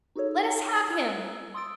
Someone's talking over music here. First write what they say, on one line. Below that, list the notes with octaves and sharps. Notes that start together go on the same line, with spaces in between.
Let us have him!'
D#4 F#4 G#4 A4 C#5
A#5 E6 F#6
C6 D#6 E6 A6 D7